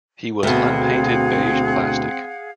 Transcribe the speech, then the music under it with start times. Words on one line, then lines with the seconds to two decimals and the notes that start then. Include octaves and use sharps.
He was unpainted beige plastic.
0.43 D2 B2 C4 G#4 F5 F#5